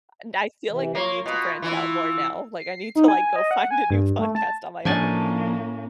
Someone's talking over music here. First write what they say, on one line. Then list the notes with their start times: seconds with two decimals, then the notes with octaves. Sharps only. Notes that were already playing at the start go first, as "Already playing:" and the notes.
And I feel like I need to branch out more now, like, I need to like, go find a new podcast on my own.
0.69 C3 E3
0.95 A#3 F4 C#5
1.26 B2 F4
1.62 E3 E4
2.59 C7
2.96 D#4
3.08 G#5
3.36 D#5
3.51 F#5
3.71 G#5
3.90 G2
4.19 A3
4.35 A5
4.85 A2 F3 A#3 C#4 D4 G#5 A5